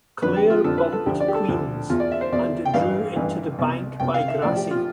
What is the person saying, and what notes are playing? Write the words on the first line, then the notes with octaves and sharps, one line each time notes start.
Clare bumped Queens', and drew into the bank by Grassy.
F2 D3 F3 B4
G4
F4
F2 D3 F3 A4
B4
A4
D2 D3 F3 G4
D5
G4
A4
D2 D3 F3
E2 B2 F4
D5
E5
C5
E2 B2 D5
G5
A1 G2 E3 F5
A1 G2 E3
C2 B2
C2 B2 G5
F5
E5
A1 A2 F3 D5
G4
F4